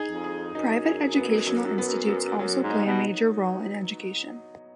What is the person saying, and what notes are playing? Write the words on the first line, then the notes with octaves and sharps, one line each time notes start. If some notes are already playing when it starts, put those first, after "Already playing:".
Private educational institutes also play a major role in education.
Already playing: D#4 G#4
F2
G#4
F#2 D#4
G#4
B3
F#3
B3
B3
F#2 F#3
G#2
D#4
B2